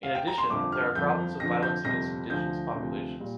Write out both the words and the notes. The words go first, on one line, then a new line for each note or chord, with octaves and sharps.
In addition, there are problems of violence against indigenous populations.
F5
G5
A#5
C6
G1 F2 D3 F3 D6
F6
G1 F2 F3 G6
F2 D3 F3 A#6
G6
G1 F2 C3 A#6
D2 D3 F3 G6
D2 C3 F3
A#2 G3